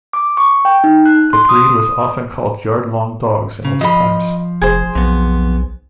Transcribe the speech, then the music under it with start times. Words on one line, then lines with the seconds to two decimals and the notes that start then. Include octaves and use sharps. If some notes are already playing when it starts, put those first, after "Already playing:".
The breed was often called "yard-long dogs" in older times.
0.13 D6
0.37 C#6
0.65 G5
0.84 D#4
1.05 F#6
1.33 C6
1.49 D#6
3.65 C#3
3.81 F3 D#5 B5
4.62 F1 G#4 C5
4.95 B1 F2 B3